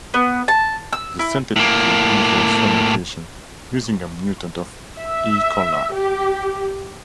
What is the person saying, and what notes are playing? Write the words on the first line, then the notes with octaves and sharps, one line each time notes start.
The synthetic route involves fermentation using a mutant of "E. coli".
B3
A5
E6
E4
A2 A#3
E5
G4